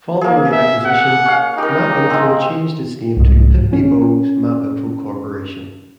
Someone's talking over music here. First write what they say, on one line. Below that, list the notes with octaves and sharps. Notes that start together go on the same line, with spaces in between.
Following the acquisition, MapInfo changed its name to Pitney Bowes MapInfo Corporation.
A#3 G#4
E5
F#5
C#4 F5
D#4 G4 A#4
G#3 C4
C2 G#2
C#4